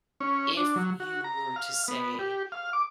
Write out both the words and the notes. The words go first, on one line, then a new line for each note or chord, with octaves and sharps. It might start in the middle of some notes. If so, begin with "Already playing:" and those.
if you were to say,
C#4
D4
F#3
F#4
A#5
F5
B3
G4
F5
D6